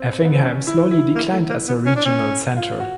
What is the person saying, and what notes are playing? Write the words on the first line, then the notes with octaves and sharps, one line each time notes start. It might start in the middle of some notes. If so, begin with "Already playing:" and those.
Effingham slowly declined as a regional centre.
Already playing: C4
B3
C4
C#4
E4
E4
A#3
A3
A#3
B3
C#4
D4
C#4
F4
F#4